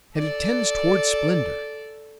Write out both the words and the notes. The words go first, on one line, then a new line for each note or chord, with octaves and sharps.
And it tends toward splendor.
A4 D5